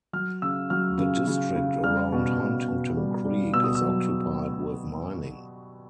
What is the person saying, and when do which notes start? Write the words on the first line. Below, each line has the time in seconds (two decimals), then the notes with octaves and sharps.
The district around Huntington Creek is occupied with mining.
0.13 F#3 F6
0.42 C#3 E6
0.70 F#3 F6
0.98 C#3
1.27 C#3
1.55 C#3
1.84 G3 F6
2.12 B2
2.40 B2
2.68 B2
2.97 G3
3.25 G3
3.53 B2 E6
3.64 D#6
3.75 E6
3.82 F#3